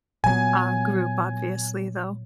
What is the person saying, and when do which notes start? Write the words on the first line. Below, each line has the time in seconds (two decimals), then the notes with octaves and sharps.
uh, group, obviously, though.
0.24 A#2 F#3 B3 G#5